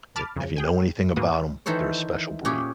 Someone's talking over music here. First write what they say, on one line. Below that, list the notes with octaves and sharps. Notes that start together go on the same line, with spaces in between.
I if you know anything about 'em, they're a special breed.
A5 B5 D6 F6 A6
F2 C#3
G#4 G5 G#5
G#2 A#3 B3 F#4 D#6
D#3 E3 A4 C5 C#5
A#2 C#4 G4 G#4